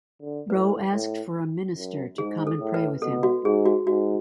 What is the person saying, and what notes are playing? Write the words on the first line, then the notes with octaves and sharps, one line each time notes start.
Wroe asked for a minister to come and pray with him.
D3
A2 B4
A2
F#2
G#2 G#4
A4
A2
B4
B2 A4
F#4
G#2 G#4
F#4
G#2 F#4